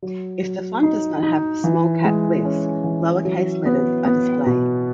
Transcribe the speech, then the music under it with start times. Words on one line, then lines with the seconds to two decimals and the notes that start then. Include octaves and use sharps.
If the font does not have small-cap glyphs, lowercase letters are displayed.
0.02 F#3
0.43 F#3
0.83 D#4
1.23 D#4
1.64 E3
2.04 G#3
2.45 C#4
2.84 E3
3.25 F#3
3.66 B3
4.05 B3
4.46 B2